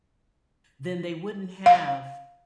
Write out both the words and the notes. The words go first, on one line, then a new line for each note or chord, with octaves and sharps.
then they wouldn't have
F5